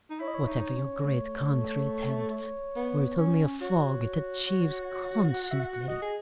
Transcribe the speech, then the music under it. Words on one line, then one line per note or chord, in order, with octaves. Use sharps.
'Whatever your great country attempts--were it only a fog--it achieves consummately.'
D#4
E4 C#5
D#5
C#5
D#4
C#4
A3
B3
C#4
F#4 C#5
C#5
F#5
E5
F#5
F#4 D#5
G#4